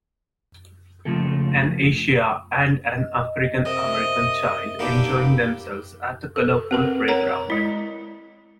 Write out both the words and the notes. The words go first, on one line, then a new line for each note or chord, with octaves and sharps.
An Asian and an African American child enjoying themselves at a colorful playground.
C#3 F3 A3 A#3 A4
D#5
C3 A#4 D#5 E5
A#3 B3 D4 D#4 G4 A#4 E6
A4
C4 A#4 B4
A#4 C#5 F#5 A#5
G#3 E4